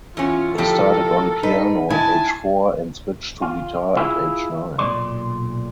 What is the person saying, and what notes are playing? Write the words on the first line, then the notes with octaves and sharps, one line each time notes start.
He started on piano at age four and switched to guitar at age nine.
E2 C#4 F4
A2 F3 G4 A4 A#4
D#4 B4
D#3 E4 G#5 A5
F4
E4 F4 G4 G#4
B1 A#2 A#3 D5 C6